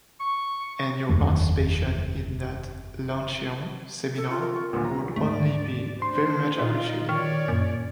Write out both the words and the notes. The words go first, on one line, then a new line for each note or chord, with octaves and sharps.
And your participation in that luncheon seminar would only be very much appreciated.
C#6
F#1 E2 D#3 A3
A4 C#7
F4
A#4
C#6
D2 A#2 G3 B3 C#4
A#5
D2 G#2 A3 D5
D4 C5 C6
A#2 D#4 F4
D#3 C#5 D5 C#6 F6
F#2 A#2